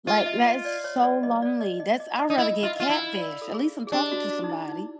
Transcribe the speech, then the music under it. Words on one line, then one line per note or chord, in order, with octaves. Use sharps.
like, that is so lonely. That's I'd rather get catfish, at least I'm talking to somebody.
F4 D#5
D#5
E5
D#5
D5
C#5
D5
D#5
D5
D#5
D#5
D#5
D#5
D#4
E4 E5
F4 E5
F4 D#5
E4
D5
A4
G#4
G#4
D4 G4
F#4
F#4
D#4
E4
D#4